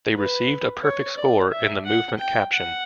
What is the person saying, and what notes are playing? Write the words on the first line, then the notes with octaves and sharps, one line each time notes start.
They received a Perfect Score in the Movement Caption.
B4
C#5
D5
E5
F#5
G5
F#5